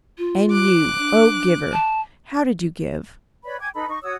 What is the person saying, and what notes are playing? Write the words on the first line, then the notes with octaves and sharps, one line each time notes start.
And you, O giver! how did you give?
F4
D6 F#6
D4
A5
B4 C#5 D5 B5
G5 G#5 D6 G#6
D#4 A4 B4 B5
D#4 C#6
F#4 C#5 D#6 E6